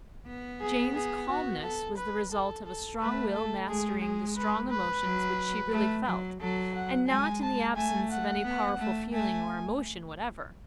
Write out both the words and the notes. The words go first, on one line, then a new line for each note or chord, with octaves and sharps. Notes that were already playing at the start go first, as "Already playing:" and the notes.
Jane's calmness was the result of a strong will mastering the strong emotions which she really felt, and not in the absence of any powerful feeling or emotion whatever.
B3
G#4
G#4
F#4
A4
B4
A4
A4
A3 B4
A4
G#3 G#4
G#4
B4
B4
F#3
A3
F#3
F#3 A4
F#5
G#3 G#5
A5
A3 G#5
F#5
B3
A3
A3 G#5